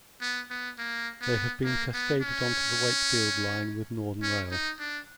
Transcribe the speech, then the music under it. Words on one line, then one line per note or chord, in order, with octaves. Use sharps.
They have been cascaded onto the Wakefield Line with Northern Rail.
B3
B3
A#3
B3
A#3
B3
C#4
C#4
D#4
D4